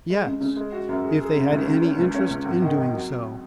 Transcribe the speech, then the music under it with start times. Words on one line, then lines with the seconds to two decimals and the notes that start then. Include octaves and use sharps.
"Yes, if they had any interest in doing so."
0.10 G#3
0.25 C#3
0.41 C#3
0.56 G#3
0.72 F#4
0.89 F#2
1.04 G#4
1.20 G#4
1.36 C#3
1.52 C#2
1.66 C#3
1.83 C#4
1.98 C#2
2.14 C#4
2.30 C#2
2.45 G#1
2.62 D#3
2.77 D#3
2.93 F#3